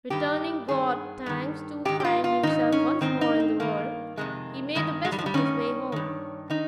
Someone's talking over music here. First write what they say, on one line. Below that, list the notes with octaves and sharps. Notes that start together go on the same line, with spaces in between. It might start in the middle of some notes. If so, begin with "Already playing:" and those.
Returning God thanks to find himself once more in the world, he made the best of his way home.
G2 D#3 G4
G2 D#3 G#4
G2 D#3
G#2 D#3 G4
G4
F4
F4
G#2 D#3 D#4
C#4
G#2 D#3 C4
D#4
C4
G2 D#3 A#3
F2 C3 D#3 G#3
G2 D#3 G#3
G#3
G3
F3
G3
G2 D#3 C#4
G2 D#3
D#3 D#4